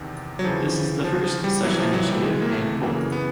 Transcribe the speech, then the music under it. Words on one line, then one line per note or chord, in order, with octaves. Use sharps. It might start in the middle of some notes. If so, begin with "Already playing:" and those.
This is the first such initiative in Poland.
Already playing: E2 C3 D#3
F#3
E2 C#3 E3 F3
F3
F3
G3
C#2 C3 E3 F#3
F3
F#3
G3
A3
G#3
A#3
A3
F#2 C#3 E3 A#3
B3